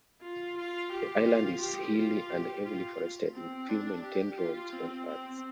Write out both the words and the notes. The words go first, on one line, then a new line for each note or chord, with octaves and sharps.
The island is hilly and heavily forested, with few maintained roads or paths.
F4
F4
G4
F4
G4
F4
G4
F4
C4
D4
G4
F4
C4
C4